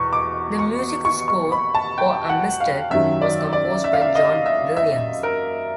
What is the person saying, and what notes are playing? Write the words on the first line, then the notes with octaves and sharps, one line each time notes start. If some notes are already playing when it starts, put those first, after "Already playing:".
The musical score for "Amistad" was composed by John Williams.
Already playing: E2 B2 C#6
D6
C#6
C#6
C#6
B5
A5
G5
F#5
F5
F#2 D#3 F#3 E5
D5
D5
E5
F5
E5
D#5
E5
E5
A#4